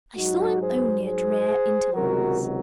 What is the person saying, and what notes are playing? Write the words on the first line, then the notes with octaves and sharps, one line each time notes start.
I saw him only at rare intervals.
G#2 F#3 D#4 F#4
G#4 C5
G#4 C5
C#2 C3 D#3 F#3 F#4 A#4